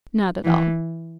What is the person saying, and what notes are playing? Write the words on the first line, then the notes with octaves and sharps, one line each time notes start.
Not at all.
E3